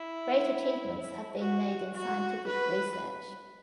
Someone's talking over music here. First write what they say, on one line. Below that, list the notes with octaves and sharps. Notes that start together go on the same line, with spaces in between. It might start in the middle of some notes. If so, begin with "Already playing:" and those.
Great achievements have been made in scientific research.
Already playing: E4
F#4
F#4
B4